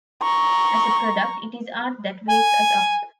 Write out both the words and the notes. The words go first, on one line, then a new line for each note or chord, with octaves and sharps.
As a product, it is art that wakes us up.
A#5 C#6
G#5